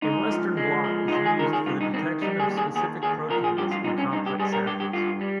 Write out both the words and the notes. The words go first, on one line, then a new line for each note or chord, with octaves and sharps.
A Western blot is used for the detection of specific proteins in complex samples.
G#2 D#4
F3
G#3
F3
D#4
G#3 F4
G#4
D#3 A#4
G#4
G2 F4
D#4
D#3 C4
G3 D#4
G#4
D#2
G#4
D#2 G#4
D#2 G#4
F3 A#4
G#4
G2 G4
F4
G2 D#4
C#4
G2 D#4
G4
G3 G#4
A#4
G2 G4
G4
G2 F4
G3